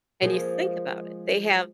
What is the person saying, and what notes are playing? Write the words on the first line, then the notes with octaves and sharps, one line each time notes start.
and you think about it, they have
F3 G#3 A#3